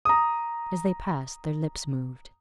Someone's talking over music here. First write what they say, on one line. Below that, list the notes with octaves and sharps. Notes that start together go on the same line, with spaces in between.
As they passed their lips moved.
A#5 D#6